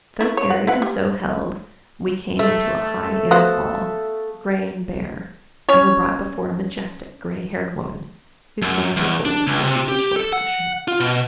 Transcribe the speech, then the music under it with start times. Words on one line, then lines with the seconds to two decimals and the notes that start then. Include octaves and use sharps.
So carried and so held, we came into a high inner hall, gray and bare, and were brought before a majestic gray-haired woman who seemed to hold a judicial position.
0.21 A3 E4
0.37 C#5
0.50 F#5
0.67 E4 B4 F#5
0.82 G3
2.39 A3 A4 E5
3.31 B3 F#4 C5 F5 D#6 F#6
5.69 C#4 C#5
8.62 F#2
8.97 E2
9.25 D4
9.47 C#2
9.64 C3
9.88 G4
10.16 A4
10.33 F#5
10.88 F4
11.00 B2